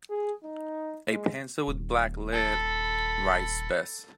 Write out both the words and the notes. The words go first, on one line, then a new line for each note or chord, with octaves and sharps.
A pencil with black lead writes best.
G#4
D#4
G#3
D#1
A4 B5